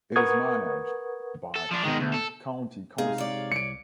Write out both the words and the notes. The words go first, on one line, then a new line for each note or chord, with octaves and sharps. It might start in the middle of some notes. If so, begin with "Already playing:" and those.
It is managed by Kent County Council.
A#4 B4 F#5 C#6 D#6 G#6
A4
F3 D4
D#3 G#3
D2
A4
C3 G#3 D#4 G#4 F5
C#5 D5
C2 C#7 D7